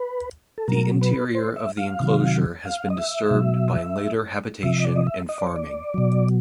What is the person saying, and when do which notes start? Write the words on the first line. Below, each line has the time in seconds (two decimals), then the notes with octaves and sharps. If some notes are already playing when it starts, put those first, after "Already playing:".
The interior of the enclosure has been disturbed by later habitation and farming.
Already playing: B4
0.58 A4
0.68 B2 F#3 A#4
1.01 B4
1.35 C5
1.56 E5
1.77 F5
2.00 C3 D#3 F#3
2.65 F5
2.90 D#5
2.98 E5
3.31 B2 F#3
4.63 C3 F3 E5
4.80 D#5
4.85 D5
4.96 D#5
5.07 E5
5.29 D#5
5.38 D5
5.47 C#5
5.56 D5
5.94 B2 F#3